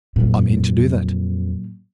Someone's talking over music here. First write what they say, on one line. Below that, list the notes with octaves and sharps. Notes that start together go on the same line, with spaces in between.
'I mean to do that.
F2 A#2 F#3